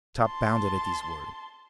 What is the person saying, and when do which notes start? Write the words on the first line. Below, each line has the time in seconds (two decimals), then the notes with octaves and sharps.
Top bounded at these words.
0.21 A5 C6